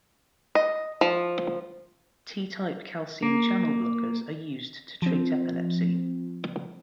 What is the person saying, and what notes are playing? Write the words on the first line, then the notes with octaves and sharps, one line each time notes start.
T-type calcium channel blockers are used to treat epilepsy.
D#5
F3
A#3
F3 C4